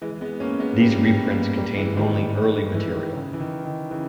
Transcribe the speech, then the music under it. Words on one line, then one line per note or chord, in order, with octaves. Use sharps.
These reprints contain only early material.
E3 G#3
G#3 B3
A#3 C#4
G#3 B3
G3 A#3
G3 A#3
B3
G3 A#3
G3 A#3
E3 G#3
D#3 G3
D#3 G3
E3 G#3
E3 G#3
D#3
C#3
E3
D#3
D#3
C#3 E3